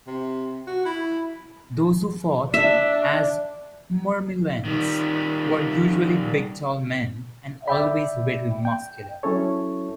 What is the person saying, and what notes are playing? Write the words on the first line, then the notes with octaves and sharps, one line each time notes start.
Those who fought as murmillones were usually big tall men and always very muscular.
C3
F#4
E4
D4 E5
D#3 G3
D5 E5 G5 B5
G5
F#3 C#4 E4 A4 C#5